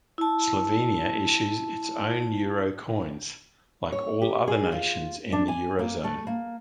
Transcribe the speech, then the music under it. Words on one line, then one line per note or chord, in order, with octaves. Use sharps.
Slovenia issues its own euro coins, like all other nations in the Eurozone.
E4 A5
C#5
G4
G#4
F4
D4
G#5
A#3
A3
A#3